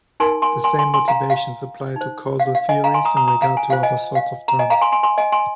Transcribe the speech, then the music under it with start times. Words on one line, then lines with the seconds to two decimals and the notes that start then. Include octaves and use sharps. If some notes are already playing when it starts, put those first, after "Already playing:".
The same motivations apply to causal theories in regard to other sorts of terms.
0.20 D#4 A#4 G#5 C6
0.42 G#5 C6
0.64 G#5 C6
0.79 G#5 C6
0.94 G#5 C6
1.08 F5 A#5
1.30 F5
1.96 D#4 C5
2.40 F5
2.55 F5
2.69 D#5 G#5
2.84 F5 A#5
2.94 G#5 C6
3.05 A#5 D#6
3.17 A#5 D#6
3.28 A#5 D#6
3.42 F5 A#5
3.57 G#5
3.70 F4 C5 F5
3.83 D#5 G#5
4.15 F5
4.48 A#5
4.59 D#5 G#5
4.70 F5 A#5
4.81 G#5 C6
4.92 G#5 C6
5.03 G#5 C6
5.18 D#5 G#5
5.32 G#5 C6